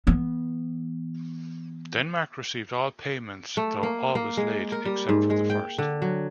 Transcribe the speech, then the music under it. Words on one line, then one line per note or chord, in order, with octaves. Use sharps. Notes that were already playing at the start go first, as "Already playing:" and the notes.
Denmark received all payments, though always late except for the first.
E3 B3
A3
A#3
A#3
G#3
A#4
G3
G#2
G#3
G5
D3
F#3